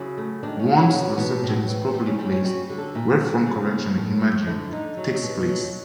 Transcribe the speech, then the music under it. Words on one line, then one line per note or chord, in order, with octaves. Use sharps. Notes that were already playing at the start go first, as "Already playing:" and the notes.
Once the subject is properly placed, wavefront correction and imaging takes place.
Already playing: C#3 F#3 E4
A3
D#3 D4
C#4
F#3
C#4
B2
B2
A2 C4
E3
G3 C4
C#4
G3 C4
C#4
G3 F#4
D3
A4
A#2 E4
G3
C#3
A#3
A2
F3
D3 E4
D3 D#4
F#3
B2
F#3